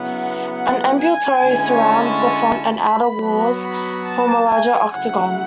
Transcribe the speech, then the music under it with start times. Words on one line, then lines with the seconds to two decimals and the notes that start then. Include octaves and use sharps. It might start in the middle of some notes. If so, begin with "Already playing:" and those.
An ambulatory surrounds the font and outer walls form a larger octagon.
Already playing: C#3 F#3 B3 E4 F#5
0.56 F#5
1.00 G#5
1.43 D3 G#3 C#4 E4
1.87 A5
2.74 B5
3.18 F#3 B3 F#4
3.62 B5
4.05 A5
4.49 G#5
4.93 C#3 F#3 A3 E4 F#5